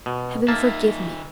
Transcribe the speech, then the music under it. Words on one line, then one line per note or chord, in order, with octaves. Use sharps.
Heaven forgive me!'
B2
D#3 A#3 E5 A5